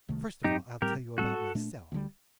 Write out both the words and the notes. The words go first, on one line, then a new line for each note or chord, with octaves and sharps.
First of all I'll tell you about myself.
C2 C3 D#3 A3
F#2 F#3 C4 D#4 G4
A2 G3 C4 G4 A#4
A2 G3 C4 F#4 A4
A#2 A3 D4
D2 D3 G3